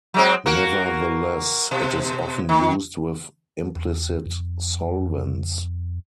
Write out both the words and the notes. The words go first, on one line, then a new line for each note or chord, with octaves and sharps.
Nevertheless, it is often used with implicit solvents.
F#3 G#3 C4
A#3 F#4 A#4
B2
D#3
E2
F2